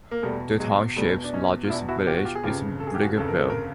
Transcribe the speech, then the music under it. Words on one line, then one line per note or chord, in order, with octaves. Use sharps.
The Township's largest village is Brickerville.
A#3
E2 B2 G3 A3
F#3 G#3
E2 B2 G3 A3
D4
C#4 D#4
F4
E2 B2 D4 E4
E4 F#4
F4 G4
F#4
F4 G4
G#4
G1 F2 C#3 F4 G4
A4
G#4
G4
F#4 G#4
G1 F2 C#3 A4
A#4
A4
A#4